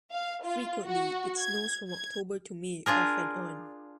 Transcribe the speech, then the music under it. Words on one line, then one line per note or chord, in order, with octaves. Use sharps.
Frequently, it snows from October to May off and on.
F5
F4
F#4
G#6
G#6
D4 F4 G#4 A#4